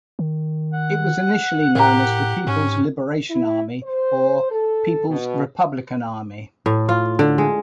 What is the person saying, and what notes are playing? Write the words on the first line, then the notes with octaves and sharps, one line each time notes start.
It was initially known as the "People's Liberation Army" or "People's Republican Army".
D#3
F#5
A2 G4 A#4 A#5
G#2 C#4
E4
C5
A4
B2
A2
F4
D3
G#3